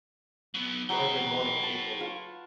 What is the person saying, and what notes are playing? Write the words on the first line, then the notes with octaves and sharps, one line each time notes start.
Every morning and evening.
F#3 B3
F#3 G#3 B4 C#5 G5
A5
F4